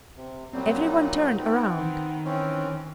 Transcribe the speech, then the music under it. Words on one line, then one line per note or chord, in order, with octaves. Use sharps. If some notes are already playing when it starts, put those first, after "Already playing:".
Every one turned round.
C3
A#2 F#3 G3 C4
D#4
B3 C4
D#3
E3 C4 C#4